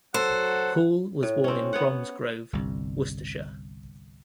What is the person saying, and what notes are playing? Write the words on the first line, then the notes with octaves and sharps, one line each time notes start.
Poole was born in Bromsgrove, Worcestershire.
F#3 A4 C5 F#5
A2
C4 C#4
B3 C#5 F#5
G1 C2